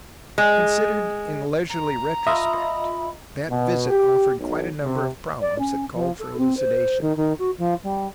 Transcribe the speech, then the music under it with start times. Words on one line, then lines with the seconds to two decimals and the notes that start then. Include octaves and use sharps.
Considered in leisurely retrospect, that visit offered quite a number of problems that called for elucidation.
0.38 G#3
1.69 A#5
2.27 F4 D#5 E5 B5
3.49 B2
3.90 G4
4.40 B1
4.84 C3
5.41 D5
5.59 C#4
5.93 F3
6.19 A4
6.38 C4
6.57 C5
7.01 D#3
7.16 D#3
7.39 F#4
7.58 F3
7.83 G3